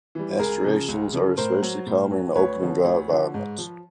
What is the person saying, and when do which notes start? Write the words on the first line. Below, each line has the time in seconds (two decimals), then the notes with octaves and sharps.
Asteraceans are especially common in open and dry environments.
0.15 E3 G3
0.39 C#2 G#4 A#4
0.64 C#3 F3
0.89 C#2
1.13 C#3 F3
1.37 A2 A#4 C5
1.62 F#3
1.86 A2
2.11 F#3
2.35 D2 B4 C#5
2.60 D3 F3
2.84 D2
3.09 D3 F3
3.34 G#2
3.58 F3